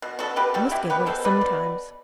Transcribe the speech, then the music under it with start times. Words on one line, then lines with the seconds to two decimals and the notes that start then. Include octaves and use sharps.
I must give way sometimes.
0.02 B2
0.19 B3 F#4 A4
0.36 B2 G4 B4
0.54 G3 F#4 A4
0.71 B2 E4 G4
0.90 B3 G4 B4
1.06 B2 A4 C5
1.25 G3 B4 D5
1.41 B2